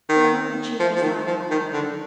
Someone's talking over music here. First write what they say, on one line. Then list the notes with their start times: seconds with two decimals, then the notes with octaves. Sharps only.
For a moment she lay sobbing quietly.
0.09 D#3
0.80 F3
0.96 F3
1.02 D#3
1.27 F3
1.50 D#3
1.73 D3